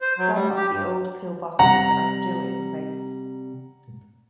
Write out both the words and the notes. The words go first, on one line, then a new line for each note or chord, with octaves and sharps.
Some of the old pillboxes are still in place.
C5
F#3
G3
G4
G2
C3 G3 F#5 A#5